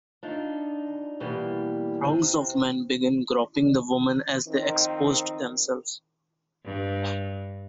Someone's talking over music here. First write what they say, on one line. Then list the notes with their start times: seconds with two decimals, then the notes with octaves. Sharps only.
Throngs of men began groping the women as they exposed themselves.
0.23 D4 D#4 F4
1.20 B2 E3 G3 A#3
2.04 C3 C4
4.48 D#3 F3 C4 D#4
6.64 G2